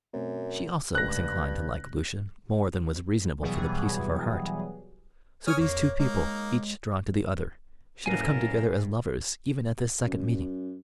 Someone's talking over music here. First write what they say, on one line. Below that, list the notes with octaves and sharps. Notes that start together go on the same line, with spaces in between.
She also was inclined to like Lucian more than was reasonable for the peace of her heart; so these two people, each drawn to the other, should have come together as lovers even at this second meeting.
F#2 B2 A3 C4
G2 C#3 G#3 A3 F#6 A#6
B2 E3 F#3 G3 B3 G#4
C#5 G#5 D#6 F6
F2 A#3
G#3 A#3 D#4
F#1 A2 A#4 B4 F5 G#5 A5
F#2